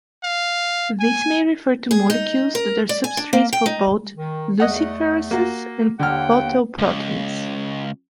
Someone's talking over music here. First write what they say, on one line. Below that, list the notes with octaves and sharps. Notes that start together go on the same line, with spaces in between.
This may refer to molecules that are substrates for both luciferases and photoproteins.
F5
G#5
G#4
D#4
A#4
D5
G#5
D4
A#3
G5
D#4
D#3
E2 A3 D#5 F#5
A#3 F#4
D#2 D3 F#5 G5 F6
C#2